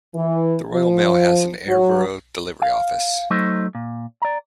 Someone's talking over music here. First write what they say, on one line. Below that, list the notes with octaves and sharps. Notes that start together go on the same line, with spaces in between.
The Royal Mail has an Aireborough delivery office.
E3
F3
F#3
F5
F#3 A3 D#4 C5
A#2
D5 A#5